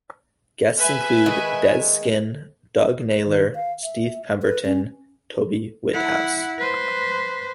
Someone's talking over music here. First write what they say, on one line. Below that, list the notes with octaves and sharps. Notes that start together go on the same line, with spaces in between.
Guests included Dez Skinn, Doug Naylor, Steve Pemberton, Toby Whithouse.
B4 E5 G#5
D#3 G#3
D#3
F5
E5
B4
C#4
E4 F#5
B4 C5